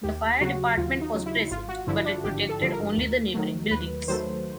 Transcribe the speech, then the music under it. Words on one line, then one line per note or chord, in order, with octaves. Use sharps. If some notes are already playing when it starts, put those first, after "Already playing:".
The fire debarment was present, but it protected only the neighboring buildings.
D#2 G4
C#3 F#3 F#4
D#2 F4
D#4
C#3 F#3
E4
G#1 F4
F#4
G2 D3 F3 E4
D4
G#1 G4
A4
G2 D3 F3
A#4
D#2
D#3 F#3 A3
D#2 B4
D#3 F#3 A3 C5